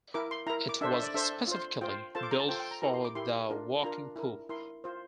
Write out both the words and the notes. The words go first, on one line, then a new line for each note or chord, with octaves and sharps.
It was specifically built for the working poor.
E4 A#4 D6
C6
E4 A#4 A#5
D6
D4 A4 C5 E5
E5
D5
D4 A4 C5 E5
F4 C5
F4 C5 G5
F4 A4 C5 A5
D6
A#5
A5
F4 A4 C5 G5
G5
A#5
E4 G4 A#4 A#5
C6
D6
E4 G4 A#4 C6
D4 F4 A#4
D4 F4 A#4 A#5
E4 A#4
E4 A#4 C6
F4 C5